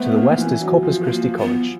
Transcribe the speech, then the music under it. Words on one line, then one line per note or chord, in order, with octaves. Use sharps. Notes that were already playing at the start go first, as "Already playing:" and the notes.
To the west is Corpus Christi College.
Already playing: A3 B3 C4
A#3
E3
F#3
F3
F3 A#3
B3